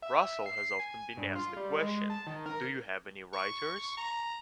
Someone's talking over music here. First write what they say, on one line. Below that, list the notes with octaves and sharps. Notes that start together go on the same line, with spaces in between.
Russell has often been asked the question, Do you have any writers?
E5
C7
G#5
G2
F4
G3
G#3
A5
D#3
A#4
C#6
A#5